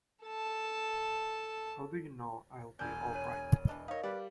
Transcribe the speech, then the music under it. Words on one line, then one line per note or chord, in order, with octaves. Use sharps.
How do you know I'll be all right?
A4 A5
E1 D4 G#5 G6
C#5 D#7
E3 D4 D#5
D#4 A#4 C#5 D#5 F5
G3 B4 D5